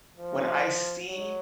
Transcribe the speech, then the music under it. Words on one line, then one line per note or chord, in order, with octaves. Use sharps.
when I see
F3
F#3